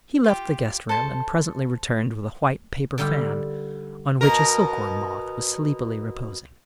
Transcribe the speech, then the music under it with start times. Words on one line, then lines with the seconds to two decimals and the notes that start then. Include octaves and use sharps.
He left the guest-room, and presently returned with a white paper-fan, on which a silkworm-moth was sleepily reposing.
0.24 F4 G4
0.89 A4 C5 A5
2.98 D3 G3 D#4 F4 G4
4.21 B2 A#4